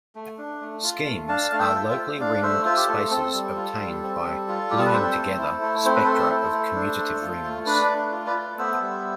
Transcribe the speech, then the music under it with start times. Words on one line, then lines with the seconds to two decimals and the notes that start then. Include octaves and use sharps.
Schemes are locally ringed spaces obtained by "gluing together" spectra of commutative rings.
0.15 A3
0.38 D4
0.61 A3
0.84 F4
1.06 A3
1.28 D4 F5 A5
1.51 A3 F5
1.59 E5 G5
1.75 F4
1.90 C5 E5
1.97 A3
2.20 D4 D5 F5
2.43 A3 C5 E5
2.65 F4 C5 E5
2.77 G4
2.88 A3 A4
3.10 C4 A4
3.34 G3
3.56 F4
3.79 G3
4.03 C4
4.26 G3
4.48 F4
4.70 G3 G4
4.78 A4
4.86 B4
4.93 C4 A4 C5
5.16 A3
5.38 E4
5.62 A3
5.85 C4 C5
5.95 B4
6.05 A3 A4 C5
6.30 E4
6.53 A3
6.75 D4
6.98 A3
7.21 F4
7.44 A3
7.66 D4 B4 D5
7.89 A3
8.12 F4
8.27 B4 D5
8.34 A3
8.58 B3 C5 E5
8.81 G3